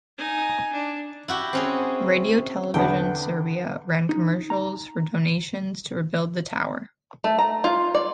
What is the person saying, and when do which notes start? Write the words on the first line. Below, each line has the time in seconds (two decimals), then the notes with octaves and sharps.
Radio Television Serbia ran commercials for donations to rebuild the tower.
0.18 D#4 G#5
0.72 D4
1.28 E4 F#4 G4
1.53 C4 C#4 G#4
2.74 E2 D3 B3 G5
4.09 D#4
4.50 A#5
7.24 A3
7.38 A#5
7.64 F4
7.95 D5